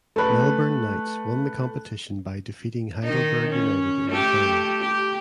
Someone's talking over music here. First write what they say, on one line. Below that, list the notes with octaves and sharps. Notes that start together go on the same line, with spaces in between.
Melbourne Knights won the competition by defeating Heidelberg United in the final.
A3 B4
D#3 D#4
C#4
A3 G4
G4